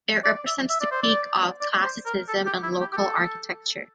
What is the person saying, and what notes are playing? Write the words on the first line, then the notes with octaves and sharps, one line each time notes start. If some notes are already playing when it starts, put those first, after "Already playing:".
It represents the peak of classicism in local architecture.
D5
E5
E5
D5
C5
D5
D5
C5
A#4
A4
G4
E4
G4
G4
A4